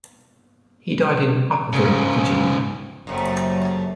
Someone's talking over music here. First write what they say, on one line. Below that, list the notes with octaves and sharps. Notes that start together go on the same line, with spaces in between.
He died in Upperville, Virginia.
G#2 C#3
F#1 F#2 C3 F#3 A3